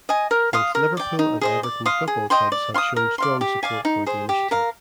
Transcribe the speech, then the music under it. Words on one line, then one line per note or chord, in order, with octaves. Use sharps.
Both Liverpool and Everton football clubs have shown strong support for the initiative.
D#5 G#5
A#4
F5 C6 D#6
A#4
D5 G5
D#4
G#4 C5 D#5
D5
F5 C6 D#6
G#4
D#5 G5 C6
D5
F5 C6 D#6
A#4
D5 F5 C6
G4
D5 F5 G#5
D#4
G#4 C5
G4
A#4 F5